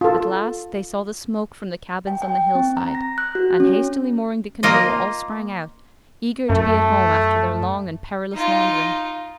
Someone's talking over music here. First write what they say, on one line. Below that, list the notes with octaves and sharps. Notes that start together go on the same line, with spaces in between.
At last they saw the smoke from the cabins on the hillside, and, hastily mooring the canoe, all sprang out, eager to be at home after their long and perilous wandering.
F4 A4
G5
G5
C4
A#5
A#6
F#6
F#4
C#4
A#3 F4 D#5
F#2 A3
D#4 F4